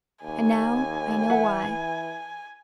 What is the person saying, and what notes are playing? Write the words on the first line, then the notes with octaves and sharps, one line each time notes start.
And now I know why.
D#2 G#5
E3 B4 E5 F#5